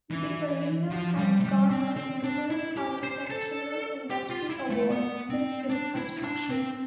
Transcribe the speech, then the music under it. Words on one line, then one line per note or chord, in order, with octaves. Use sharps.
The arena has garnered numerous architectural industry awards since its construction.
E3
F3
G3
A3
G3
C4
C4
D4
E4
G4
C5
A4
G4
F4
E4
A3
B3
C4
D4
E4
D4
C4